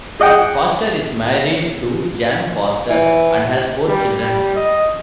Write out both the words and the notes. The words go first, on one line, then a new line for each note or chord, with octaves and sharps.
Foster is married to Jan Foster and has four children.
G#4 D#5 F#5 G5
E3
G3
G3
D#5